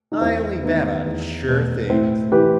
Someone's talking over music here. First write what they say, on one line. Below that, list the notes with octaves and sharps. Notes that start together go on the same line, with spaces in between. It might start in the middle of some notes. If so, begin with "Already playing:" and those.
"I only bet on sure things."
D#4
E2 C4 E4
D#3 B3 D#4
E2
B2
A2 C4 E4
E3 G4 B4